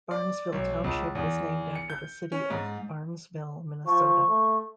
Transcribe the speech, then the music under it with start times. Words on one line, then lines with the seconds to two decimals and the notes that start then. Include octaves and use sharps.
Barnesville Township was named after the city of Barnesville, Minnesota.
0.11 D5
0.53 B1
0.84 C#2
1.15 E2
1.75 C#7
1.90 G6
2.32 C#4
2.50 G#2
3.86 F3 C#6
4.28 A3